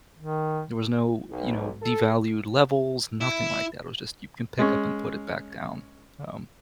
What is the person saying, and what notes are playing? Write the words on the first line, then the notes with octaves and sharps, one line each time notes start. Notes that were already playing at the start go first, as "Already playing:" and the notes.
there was no, you know, devalued levels, nothing like that, it was just you can pick up and put it back down. Um,
D#3
B1
A4
E4
G#3 C#4